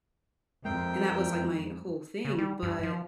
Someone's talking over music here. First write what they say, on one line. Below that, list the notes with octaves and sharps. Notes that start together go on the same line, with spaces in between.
and that was, like, my whole thing. But
F2 G#3 C4 A#4 C5 E5 G5
C#3
G3
G2
F3